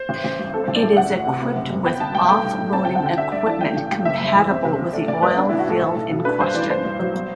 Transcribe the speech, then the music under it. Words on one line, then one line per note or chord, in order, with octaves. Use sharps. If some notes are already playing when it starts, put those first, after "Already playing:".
It is equipped with off-loading equipment compatible with the oil field in question.
Already playing: C5
A1
A1
G2
C4 A4
A1 C5
D5
A2
D2 F#5
D2
C3
B3
F#1
F#2
B3 G5
G1 A5
G2 G5
A3 G5
B1
A2
C4 A5
D2 G5
F#5
D3 G5
D4 E5
G2 D5
E3 A5
A3 G5
A1
G2 G5
F#1 E5
F#1
E2
C4
C2
C3
A3 D5
A1 D5
G2 B4
B3 D4
A1 E4
F#4
A2 A4
B1
B1
B2
D4 B4
G2 C5
E3 D5
G2 C5
G2
F#3
B3